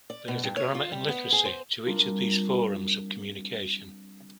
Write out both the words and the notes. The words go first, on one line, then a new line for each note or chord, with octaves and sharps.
There is a grammar and literacy to each of these forms of communication.
D5
B2
G2
C#5
F4
G3
B3
G#4
C5
G3 C4 D4 F4 A#4